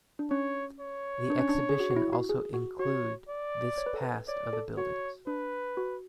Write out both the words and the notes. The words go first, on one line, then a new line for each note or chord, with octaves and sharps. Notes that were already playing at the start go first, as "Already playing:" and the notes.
The exhibition also include this past of the buildings.
D4
C#4 C#5
C#5
D4
C#4
D4
G#4
F#4
F#4
E4
F#4
G#4
F#4
F#4 C#5
D5
C#5
B4
A4
B4
C#5 D5
A4
F#4 C#5
D4 B4
F#4